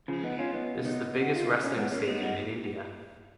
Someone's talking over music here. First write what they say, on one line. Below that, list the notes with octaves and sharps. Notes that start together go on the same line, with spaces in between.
This is a biggest Wrestling Stadium in India.
C#3 F3
B3 D#4
C#4 F4
B3 D#4
B3 D#4
F#4
F4
D#4
C#4
G#3 B3
A#3 C#4
B3 D#4
D#4 F#4